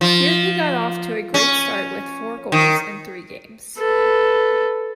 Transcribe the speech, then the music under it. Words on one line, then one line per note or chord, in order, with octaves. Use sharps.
Here he got off to a great start with four goals in three games.
F3
C#4
D#3
A4 B4